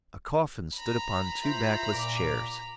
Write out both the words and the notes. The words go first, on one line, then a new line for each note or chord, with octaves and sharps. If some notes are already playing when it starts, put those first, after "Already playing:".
A coffin stood upon two backless chairs.
A#5 B5
E4 F4 C5
A#2 D6